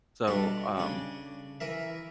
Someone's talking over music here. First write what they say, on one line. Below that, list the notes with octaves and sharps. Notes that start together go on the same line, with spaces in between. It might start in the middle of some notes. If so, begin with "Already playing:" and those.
so, um,
B2 G3 D4 A4
C#3 D4
E3 A#4 E5